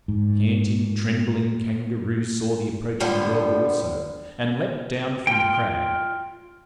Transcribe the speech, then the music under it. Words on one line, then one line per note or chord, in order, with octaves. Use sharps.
The panting, trembling Kangaroo saw the approaching dog, also, and leaped down from the crag.
G#2
D3 F3 G3 B3
F4 G5